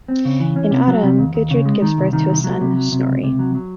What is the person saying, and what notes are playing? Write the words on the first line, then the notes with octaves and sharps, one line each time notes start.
In autumn, Gudrid gives birth to a son, Snorri.
C4
C#3
E3
C#4
C3
F#3
C3
D#2
D#2
C#3
G#3
D#3
C2
D#3
C2
F#3
C3
F#3
C3
C#2
C3
F#3
F#3